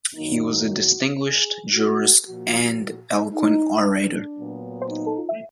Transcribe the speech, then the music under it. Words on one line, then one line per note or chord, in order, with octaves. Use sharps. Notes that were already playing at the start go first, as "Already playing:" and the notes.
He was a distinguished jurist and eloquent orator.
F#2 D#3 F#3 A#3 D#4
F#4
G#4
F#4
A#2 F3 A#3 F#4
D#4
D4
A#2 F#3 B3
D#4